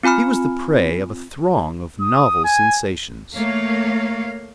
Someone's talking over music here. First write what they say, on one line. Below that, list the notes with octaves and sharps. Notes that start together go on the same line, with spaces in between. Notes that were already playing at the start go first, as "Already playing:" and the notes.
He was the prey of a throng of novel sensations.
C4 F4 G#5 B5 F6
D#6
G#5
A3 A#3 C#5 F5